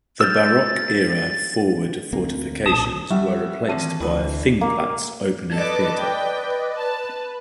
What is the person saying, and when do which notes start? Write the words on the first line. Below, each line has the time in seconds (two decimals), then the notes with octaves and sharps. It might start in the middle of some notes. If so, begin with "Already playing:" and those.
The Baroque-era forward fortifications were replaced by a Thingplatz open-air theatre.
0.21 E6 F6 G6 A6
2.13 D2 A#3 C4
2.66 B1 A#2 A5 D#6
3.11 G3 E5 F#5 C#6
3.69 D#3 E3 C4 A5 D#7
4.00 D2 E3 A#4 B5 D#6
4.61 A#3
5.55 A4 B4 D5 D#5 D6
6.00 G5
6.79 B4 A5